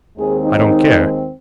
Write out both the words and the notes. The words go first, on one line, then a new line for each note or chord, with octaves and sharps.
I don't care.
D#2 D#3 G#3 C4 G#4
D#4